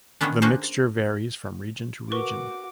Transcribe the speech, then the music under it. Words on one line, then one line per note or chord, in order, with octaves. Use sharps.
The mixture varies from region to region.
D#3 A#3 B3 C#4 D4
A#3 C#4 D4 F#4 G#4 C5
F#4 A#4 B4 C#6 D6